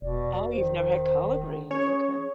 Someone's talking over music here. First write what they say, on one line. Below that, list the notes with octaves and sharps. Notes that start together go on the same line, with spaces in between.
Oh, you've never had collard greens. Okay.
E1 B2 D5
D#3 C5
C#4 G#4 C#5